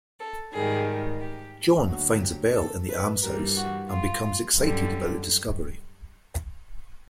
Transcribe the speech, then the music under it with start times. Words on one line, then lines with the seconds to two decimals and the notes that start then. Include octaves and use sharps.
Jon finds a bell in the Almshouse and becomes excited about the discovery.
0.19 A4
0.53 G#2 D#3 G3 G#4
1.20 G4
1.87 D2 D3 F#3 F#4
2.21 G4
2.54 A4
2.88 B4
3.22 G2 E3 G3 A#4
3.56 F#4
3.89 F4
4.57 F#2 D3 G3